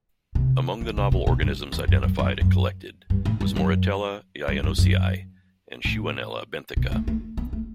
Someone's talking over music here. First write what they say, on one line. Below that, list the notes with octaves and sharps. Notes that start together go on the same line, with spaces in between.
Among the novel organisms identified and collected was "Moritella yayanosii" and "Shewanella benthica".
C3
E3
C3
B2
B2
G2
E2
F#2
F#2
F#2
F#2
G2
A2
G2
F#2
G2
G2
F#2
A2
B2
A3
A3
B3
A3